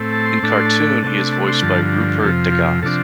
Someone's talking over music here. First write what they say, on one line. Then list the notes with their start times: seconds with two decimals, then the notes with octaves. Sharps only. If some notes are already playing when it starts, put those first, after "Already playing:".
In cartoon he is voiced by Rupert Degas.
Already playing: A2 A3 C4
0.13 A5
0.26 C6
0.40 A2 A3 D4 A5
0.53 C6
0.65 A5
1.02 C3 A3 D4 A5
1.18 A5
1.32 A5
1.48 C6
1.62 G2 D3 F3 A5
2.22 F2 C3 F3 A4
2.52 F4
2.82 C3 F3 D4 A4